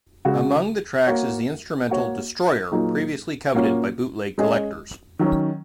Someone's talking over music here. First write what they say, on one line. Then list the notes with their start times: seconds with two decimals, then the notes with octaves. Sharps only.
Among the tracks is the instrumental "Destroyer", previously coveted by bootleg collectors.
0.25 C#3 G#3 F#4
1.07 A#3 F#4 C#5
1.89 A#3 F#4 C#5
2.72 A#2 F#3 A#3 D#4 G#4
3.54 A#2 A#3 C#4 F#4
4.38 G#3 C#4 G#4 D#5
5.19 D#3 F#3 C#4